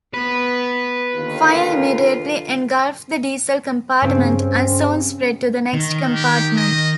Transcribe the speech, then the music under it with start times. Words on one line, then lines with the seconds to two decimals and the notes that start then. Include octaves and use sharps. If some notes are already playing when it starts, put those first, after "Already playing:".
Fire immediately engulfed the diesel compartment, and soon spread to the next compartment.
0.14 B3 B4
1.16 D#2 D3 F4
4.02 G2 C#3 C4 C#4
5.74 D#3
6.15 G4
6.57 D#5